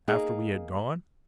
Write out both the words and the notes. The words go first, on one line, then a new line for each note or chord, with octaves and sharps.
"After we had gone?"
A#3 D#4 G#4